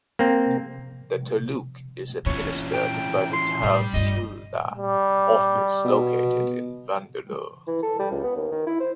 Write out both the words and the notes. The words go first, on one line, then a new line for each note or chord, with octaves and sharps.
The taluk is administered by the Tahsildar office located in Vandalur.
A#3 C4
A#2 E3 C#4 F4 C#5
G5
C6
A2 G3
G2 F4 D#5
G3
B2
E3
A4
G3
C#2
B3
D#2
D#3
E4
C5